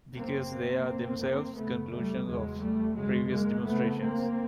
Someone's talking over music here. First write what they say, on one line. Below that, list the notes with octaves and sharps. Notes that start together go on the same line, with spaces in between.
Because they are themselves conclusions of previous demonstrations.
F#2 C#3 A#3 C4
F#2 C#3
A#3 C4
F#2 C#3 A3 B3
G3 A3
E2 C#3 F#3 G#3
G3 A3
F#2 C#3 F#3 G#3
G#3 A#3
F2 C#3 A3 B3
A#3 C4